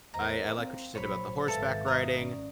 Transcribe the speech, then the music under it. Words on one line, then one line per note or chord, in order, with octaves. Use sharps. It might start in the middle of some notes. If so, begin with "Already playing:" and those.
I I like what you said about the horseback riding.
E2 A#4 C5 D#5 A#5
C4 F5
A#1 F#3 C5 C#5 B5
G#1 A4 B4 E5 F5
A#5 D#6
C#4 D5